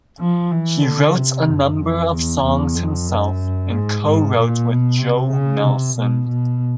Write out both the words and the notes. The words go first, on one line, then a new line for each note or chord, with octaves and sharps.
He wrote a number of songs himself and co-wrote with Joe Melson.
F3
E3
D3
C3
F#2
F2
E2
E2
F2
F#2
G#2
G#2
A#2
B2
C3
C#3
C3
B2
B2